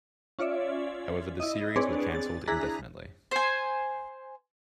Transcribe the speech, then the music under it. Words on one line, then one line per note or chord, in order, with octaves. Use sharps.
However, the series was canceled indefinitely.
C#4 F4 C#5 D5 E5
E4 D#5
C4 D4 G#4 B4 C#5 D5
A6
D4 E4 G#4 A#5 F#6 B6
C5 G#5